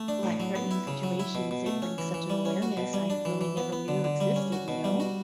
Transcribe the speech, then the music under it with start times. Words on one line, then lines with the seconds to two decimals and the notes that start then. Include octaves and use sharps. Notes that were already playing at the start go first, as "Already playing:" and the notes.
life-threatening situations, it brings such an awareness I really never knew existed, you know?
Already playing: A3
0.08 D4
0.23 A2
0.40 F#3
0.55 B3
0.71 E4
0.87 C#3
1.03 F#3
1.20 E4
1.35 B2
1.51 B2
1.66 A3
1.82 C#4
1.98 E3
2.14 E3
2.30 G3
2.45 C#4
2.62 F#4
2.77 B2
2.93 G3
3.10 D4
3.25 E3
3.41 E3
3.57 B3
3.73 B3
3.88 D3
4.04 D3
4.20 G3
4.36 C#4
4.52 F#4
4.68 B2
4.84 G3
5.00 F#4